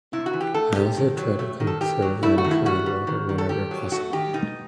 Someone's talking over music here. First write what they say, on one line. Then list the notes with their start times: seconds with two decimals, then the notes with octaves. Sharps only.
I also try to conserve energy and water whenever possible.
0.13 C3 E4
0.26 F#4
0.33 E3
0.40 G4
0.54 A3 A4
0.75 C3 G4
0.97 D#3
1.17 F#3
1.39 A3
1.60 D#3
1.67 A4
1.81 D#3 G4
2.02 F#3
2.23 A3 E4
2.38 F#4
2.44 D#3
2.51 E4
2.65 G3 F#4
2.86 G3
3.07 D#3
3.29 D#3
3.38 A4
3.49 D#3 G4
3.71 F#3
3.92 A3 F#4
4.13 D#3 G4
4.33 B2 D#4